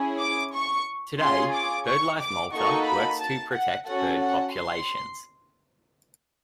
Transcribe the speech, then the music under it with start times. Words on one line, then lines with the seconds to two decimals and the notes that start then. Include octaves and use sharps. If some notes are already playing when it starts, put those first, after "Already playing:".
Today Birdlife Malta works to protect bird populations.
Already playing: C#4 E4 G#4
0.20 D6
0.55 C#6
1.21 C#4 F4 G#4 C6
1.55 D6
1.87 C#6
2.21 D6
2.54 A#3 D#4 F#4 A4 C#6
2.87 B5
3.20 A5
3.55 F#5
3.87 C#4 F#4 A4 F#5
4.21 F#5
4.54 C6